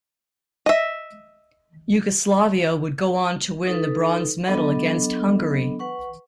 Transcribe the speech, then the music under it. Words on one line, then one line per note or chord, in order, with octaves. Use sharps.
Yugoslavia would go on to win the bronze medal against Hungary.
D#5 E5
D#4 A4 B4
F#3 B3 D4 A4 D#5 B5
B4 F#5 C#6